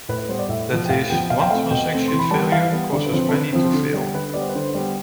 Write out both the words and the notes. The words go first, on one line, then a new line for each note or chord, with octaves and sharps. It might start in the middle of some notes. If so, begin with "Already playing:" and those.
That is, one transaction's failure causes many to fail.
A2 B4
B4
G3 B3 C5
D5
A2 E5
F3 B3
G5
A2 F5
F3 B3 G5
B2 F5
G5
A3 C4 F5
B2 G5
A3 C4
E3 C6
B5
G3 B3 A5
G5
E3 F5
G3 B3
D3 D5
B4
F3 C4 C5
A4
D3 B4
F3 C4 C5
D3
G3 B3
D3 B4
G3 B3 D5
C5
B4
D3 C5
G3 B3